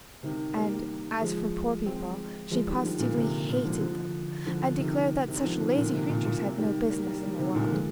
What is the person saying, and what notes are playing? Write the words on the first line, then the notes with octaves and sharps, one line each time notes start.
And as for poor people she positively hated them, and declared that such lazy creatures had no business in the world.
C3 D#3
G3 A#3
F3 G#3
G#3 C4
F3 G#3
D#3 G3
D3 F3
A#2 D3
C3
A#2 D3
D3 F3
D3 F3
D3 F3
C3 D#3
C3 D#3
D3 F3
C3 D#3
A#2 D3
C3
A#2
A#2
C3
D#3 G3
G3 A#3
G3 A#3
D#3 G3
C3 D#3
A#2 D3
F3 G#3